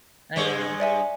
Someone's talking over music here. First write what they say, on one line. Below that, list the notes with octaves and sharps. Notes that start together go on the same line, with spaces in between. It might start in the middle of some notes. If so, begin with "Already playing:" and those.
I know.
G2 G#3 C#5
D5 E5 G#5